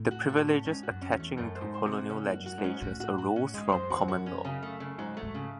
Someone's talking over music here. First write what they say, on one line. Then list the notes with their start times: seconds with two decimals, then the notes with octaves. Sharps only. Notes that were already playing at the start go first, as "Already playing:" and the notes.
The privileges attaching to colonial legislatures arose from common law.
Already playing: A2
0.11 F#4
0.29 A3
0.47 C#4
0.65 G#2 C#4
0.83 F#4
0.90 F#2
1.02 C#4
1.13 E2
1.20 A3
1.37 F#2 A3
1.55 C5
1.61 G#2
1.74 C5
1.85 C3
1.91 F#4
2.09 C#3 C#4
2.28 F#4
2.34 F#2
2.46 F#4
2.58 G#2
2.64 C#4
2.82 A2 F#4
3.00 F#4
3.18 F#4
3.36 C#4
3.54 G#2 G#3
3.72 F#2 C5
3.90 E2 F#4
4.08 F#2 F#4
4.26 C#4
4.45 C#3
4.62 A3
4.80 C#3
4.98 G#2 F#3
5.17 A3
5.23 G#2
5.35 C#3